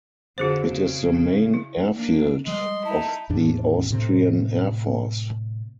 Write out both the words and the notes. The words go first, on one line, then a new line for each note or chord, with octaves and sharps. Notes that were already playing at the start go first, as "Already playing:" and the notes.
It is the main airfield of the Austrian Air Force.
F2 D3 F#4 G#4 C5
C#3
E4
A#3 D4
F3 G3 G#3 D#5 C6
D#4 E4 A5
E2 A2 D4
A2 C3 C4